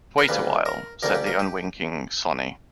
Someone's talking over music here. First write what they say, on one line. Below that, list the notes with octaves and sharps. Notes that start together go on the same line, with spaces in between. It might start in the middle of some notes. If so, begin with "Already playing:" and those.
"Wait a while," said the unwinking Sonny.
A#4
D2 C#3 G3 A#3 B4
A#4
D2 C#3 G3 A#3 A#4
G4
A#4
G4